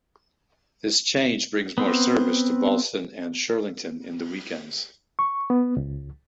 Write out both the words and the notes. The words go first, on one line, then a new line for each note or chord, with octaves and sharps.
This change brings more service to Ballston and Shirlington in the weekends.
B3 C4
C#6
B3
C#2